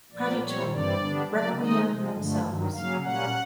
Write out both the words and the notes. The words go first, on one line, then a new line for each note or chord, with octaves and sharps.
Predator: Requiem themselves.
A#2 F3 A#3 D5
A#2 G3 C4 C#5
G2 E3 G3 C4 D5
D3 G3 B3 D4
C#3 F#3 A#3 D5
D#3 G#3 C4 D#4 D#5
C3 F3 G#3
G2 D3 F3 A3
G2 D#3 F#3
C#3 F#3 A#3 C#4 F5
A#2 G3 A#3 C#4 F#5